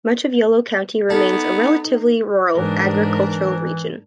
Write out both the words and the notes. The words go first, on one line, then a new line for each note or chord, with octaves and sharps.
Much of Yolo County remains a relatively rural agricultural region.
B3 D#4 A4
G#2 E3 D4 A#4